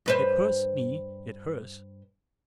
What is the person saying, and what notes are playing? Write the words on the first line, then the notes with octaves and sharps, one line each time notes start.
It hurts me, it hurts.
G2 B4 C5